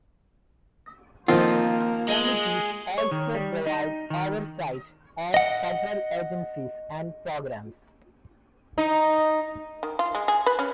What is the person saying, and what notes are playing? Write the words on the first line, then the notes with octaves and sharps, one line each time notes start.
Committees also provide oversight of federal agencies and programs.
D#3 F3 A#3 C4 F4
G#3
C#5
D#3
G3
D#4
D#3
D#5 F#5
D#4
D#3
F4
G#3
G#4
B4
C#4